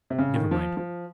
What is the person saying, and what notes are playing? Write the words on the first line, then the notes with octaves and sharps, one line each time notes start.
Never mind.
C3
C#3
D#3
F3
F3